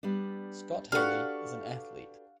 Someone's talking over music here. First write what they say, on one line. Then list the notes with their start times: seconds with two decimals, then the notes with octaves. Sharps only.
Scott Haley is an athlete.
0.03 G3 B3 D4
0.92 D4 F#4 G4 A4 B4 F5 F#5 C#6